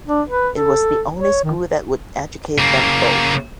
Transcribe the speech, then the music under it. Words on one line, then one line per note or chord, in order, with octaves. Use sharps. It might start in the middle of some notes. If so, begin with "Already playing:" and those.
It was the only school that would educate them both.
D4
B4
A4
C#5
D#3
C#3 A#3